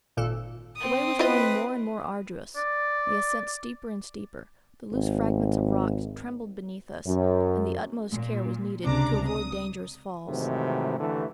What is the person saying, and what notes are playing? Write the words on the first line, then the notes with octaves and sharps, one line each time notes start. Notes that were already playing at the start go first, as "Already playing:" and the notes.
The way was growing more and more arduous, the ascent steeper and steeper; the loose fragments of rock trembled beneath us, and the utmost care was needed to avoid dangerous falls.
G#1 A#2 A4
C4 D#6
E4 F4 B4 D#5
D5
G#1
F#2
A#2
C#2 C3 D4 A#5 D6
D#6
G#2 C3 D#3 E3 F#3 A3
D#2 D3 E3 A3